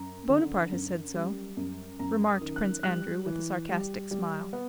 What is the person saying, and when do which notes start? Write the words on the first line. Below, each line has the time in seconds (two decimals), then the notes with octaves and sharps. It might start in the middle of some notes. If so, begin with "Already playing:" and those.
"Bonaparte has said so," remarked Prince Andrew with a sarcastic smile.
Already playing: F#2 A#5
0.29 D3
0.72 F#2
1.14 G3
1.57 F#2
1.99 F#2 A#5
2.27 D#6
2.41 D#3
2.56 F#6
2.83 G3 F#6
3.26 E3
3.69 G3
4.11 G3
4.53 B3